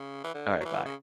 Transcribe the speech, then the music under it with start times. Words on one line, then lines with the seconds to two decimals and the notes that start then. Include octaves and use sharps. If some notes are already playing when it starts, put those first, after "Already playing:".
Alright, bye.
Already playing: C#3
0.24 E3
0.34 D3
0.60 F#3
0.65 E3
0.85 C#3